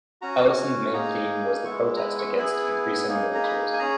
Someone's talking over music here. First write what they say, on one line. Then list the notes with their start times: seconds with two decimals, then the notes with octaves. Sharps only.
Ellison's main theme was the protest against increasing militarism.
0.22 C#4 F#4 A#5
0.93 A#3 D#4 G#4 A#5
1.65 G#3 B3 E4 C#6
1.96 A#5
2.00 B5
2.19 C#6
2.36 B3 E4 G#4 B5
3.08 A#3 D#4 G#4
3.35 A#5
3.43 B5
3.73 G#5
3.79 C#4 G#4 A#5